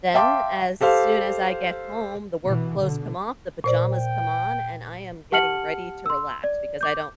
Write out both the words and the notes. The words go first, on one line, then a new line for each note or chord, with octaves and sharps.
then as soon as I get home, the work clothes come off, the pajamas come on, and I am getting ready to relax because I don't
E5 F5 G5 A5 C6 D6
G4 A4 C5 F5
B2 E3
B2 D3
A#2 C5 D5
G5
G4 F#5 A5 F6 C#7 F#7
C6 E6
D5
D6 G6